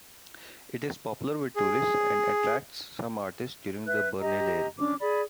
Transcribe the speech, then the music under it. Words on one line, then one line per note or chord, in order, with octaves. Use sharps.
It is popular with tourists and attracts some artists during the Berlinale.
G#4
B4 E5 F#6
G4 D#5 A#5
C#4 D4 D6
G#4 D5 B5